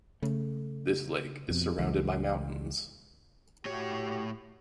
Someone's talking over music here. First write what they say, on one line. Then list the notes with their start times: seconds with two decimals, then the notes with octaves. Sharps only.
This lake is surrounded by mountains.
0.23 C#3 A3
1.48 F2 B2
1.78 C#2 E3
3.65 A2 F#4 G4 C#5